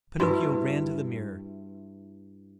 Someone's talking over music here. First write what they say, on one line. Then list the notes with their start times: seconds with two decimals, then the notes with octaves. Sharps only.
Pinocchio ran to the mirror.
0.20 G2 E4 F#4 B4